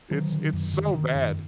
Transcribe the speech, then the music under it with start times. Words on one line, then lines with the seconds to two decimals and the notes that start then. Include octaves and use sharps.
It's it's so bad.
0.11 D3 D#3 F#3
0.32 D3
0.53 F#2
0.74 D3 D#3
0.94 D3 D#3
1.15 F#2 D#3